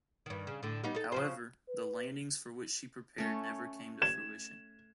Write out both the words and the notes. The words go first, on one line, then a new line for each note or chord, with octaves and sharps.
However, the landings for which she prepared never came to fruition.
G2 D#3
C#3
A2 D3
G3 B3 D#4
D#4 A4
C#3 F3 C5
B4
A3 C#4
G#6 E7